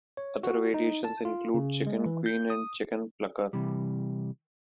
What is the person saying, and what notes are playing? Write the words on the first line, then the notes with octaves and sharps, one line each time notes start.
Other variations include chicken queen and chicken plucker.
C#5
F#4
D#4
A5
F4
C#3
G#3
E3
G6
D#6
C3 E3 G3